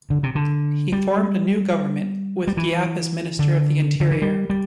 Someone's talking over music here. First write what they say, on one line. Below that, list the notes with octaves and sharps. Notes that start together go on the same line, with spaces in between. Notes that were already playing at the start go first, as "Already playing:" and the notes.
He formed a new government, with Giap as Minister of the Interior.
D3
C3
D3
G3
G3
E3
D3
D3
E3
G3
G3